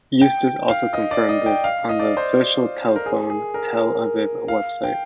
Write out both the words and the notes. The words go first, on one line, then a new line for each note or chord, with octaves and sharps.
Eustis also confirmed this on the official Telefon Tel Aviv website.
G5
F5
D#5
D5
D#5
G5
F5
D#5
D5
C5
A#4
G#4
G#4
A#4
F5
G5